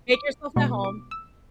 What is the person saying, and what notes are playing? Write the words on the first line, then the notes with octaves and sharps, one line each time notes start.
"Make yourself at home."
D6
B2 G#3 B3 C#6
D6
E6